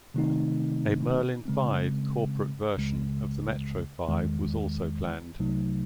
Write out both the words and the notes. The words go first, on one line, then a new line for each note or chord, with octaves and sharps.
A Merlin Five corporate version of the Metro Five was also planned.
C3 D#3 A3 C4 D#4
C#3 G#3 C4
C#2 C#3 G#3
E2 D#3 G#3
C2 C3 F#3 A3 D#4